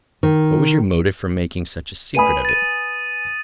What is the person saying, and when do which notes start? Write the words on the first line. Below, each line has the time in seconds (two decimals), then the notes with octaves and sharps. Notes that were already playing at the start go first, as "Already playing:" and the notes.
What was your motive for making such a secret of it?
0.23 D#3
2.15 B4 G#5 B5 D#6 D#7
2.45 A6 D#7